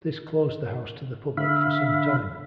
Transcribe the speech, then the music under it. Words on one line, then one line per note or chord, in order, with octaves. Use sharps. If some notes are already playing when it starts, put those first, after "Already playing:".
This closed the house to the public for some time.
D3 E5 F5 B5